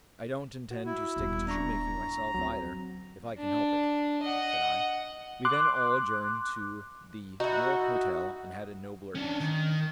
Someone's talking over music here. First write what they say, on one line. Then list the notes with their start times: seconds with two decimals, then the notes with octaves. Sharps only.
"I don't intend to stick to shoemaking myself either if I can help it," said I. We then all adjourned to the York Hotel and had a nobbler each.
0.71 F#4
0.86 E4
1.16 D#1 B2
1.48 D4 A#5 C#6
2.34 D2 F#3 C4
3.39 D4
4.23 D#5 F#5
5.45 C6 D6 F#6
7.40 D#4 E4 F#4
9.15 C#4 D4
9.41 D#3